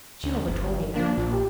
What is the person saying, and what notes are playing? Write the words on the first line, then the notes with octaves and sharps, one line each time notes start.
She never told me that.
D2
G1
F3 A#3 D4
A#1 A#2
G4